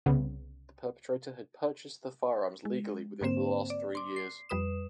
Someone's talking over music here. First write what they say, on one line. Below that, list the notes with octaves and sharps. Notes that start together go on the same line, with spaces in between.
The perpetrator had purchased the firearms legally within the last three years.
C2 C#3 B3
G#3
G#2 D3 A#3 C4 C5 E7
D5
C6 D6
C7
F2 G3 B4 D#6 E7